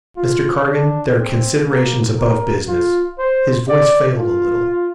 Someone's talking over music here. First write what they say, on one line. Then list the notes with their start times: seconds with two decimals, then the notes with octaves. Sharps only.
Mr. Cargan, there are considerations above business.' His voice failed a little.
0.17 F4
0.67 D4
1.17 C4
1.68 A#3
2.19 A#4
2.68 F4
3.19 C5
3.69 D5
4.20 F4